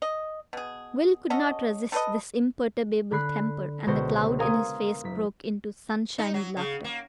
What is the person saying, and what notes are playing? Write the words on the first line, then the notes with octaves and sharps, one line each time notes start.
Will could not resist this imperturbable temper, and the cloud in his face broke into sunshiny laughter.
D#5
B2 G#4
C#4 F#4 A4 D#5
A4 B4 C5 D#5
D3 B5 F#6 C7
C#2 B2 D3 C5 C#6 A#6
A#4 F5 G#5 A#5 C6 D#6
F#1 B6
D#4
F#3
C#3
A#3